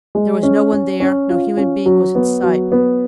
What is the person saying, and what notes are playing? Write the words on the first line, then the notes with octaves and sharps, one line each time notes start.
There was no one there; no human being was in sight.
G#3
C#4
C#4
C#4
F4
C#4
F#3
B3
F#3
B3